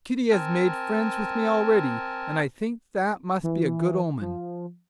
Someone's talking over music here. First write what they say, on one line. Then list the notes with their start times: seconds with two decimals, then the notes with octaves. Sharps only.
"Kitty has made friends with me already, and I think that must be a good omen."
0.31 C4 A#4 G#5 A5
3.43 E3
4.21 F3